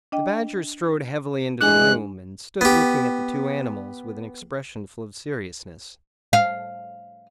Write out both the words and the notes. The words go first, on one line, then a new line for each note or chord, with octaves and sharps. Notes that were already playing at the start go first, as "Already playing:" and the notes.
The Badger strode heavily into the room, and stood looking at the two animals with an expression full of seriousness.
D4 D#5 G5
E2 G2 G#3 D4 G#5 F#6
B3 G4
F5